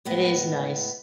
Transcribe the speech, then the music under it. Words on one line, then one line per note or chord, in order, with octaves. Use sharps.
it is nice
A2 G#3 B3